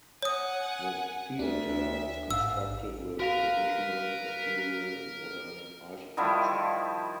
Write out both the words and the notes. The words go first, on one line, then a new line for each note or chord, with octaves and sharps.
The theatre was constructed with traditional material and modern architecture.
C#5 F#5 G#5 D#6
D2 D4 E5
A1 G#2 F5 E6
F#4 A#4 B4 F5 A#5
D#3 F3 G3 E4